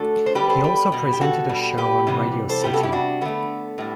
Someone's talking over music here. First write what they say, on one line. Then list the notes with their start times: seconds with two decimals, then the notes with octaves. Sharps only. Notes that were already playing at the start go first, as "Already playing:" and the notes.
He also presented a show on Radio City.
Already playing: D3 A3 F#4 A4
0.26 C5
0.35 D3 G3 B3 G4 B4
0.49 A4 C5
0.64 G4 B4
0.92 B2 G3 B3
1.13 G4
1.21 F#4 A4
1.49 B2 G3 B3
1.78 G4 B4
2.07 C3 E3 G3 B3
2.49 A4 C5
2.64 C3 G3 B3 G4 B4
2.73 F#4 A4
2.83 E4 G4
2.92 D4 F#4
3.21 D3 A3 B3
3.78 A2 G3 B3